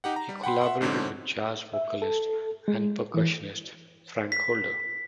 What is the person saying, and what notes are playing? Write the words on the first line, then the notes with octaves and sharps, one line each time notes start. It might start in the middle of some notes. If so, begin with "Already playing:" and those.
He collaborated with jazz vocalist and percussionist Frank Holder.
D#4 G4 F#5
A#5
G3
F#5 G5 B5 C6
E5 F#5 C6
F2 G#2 D3 C4 C#4
E5
A4
G#3
E3
B6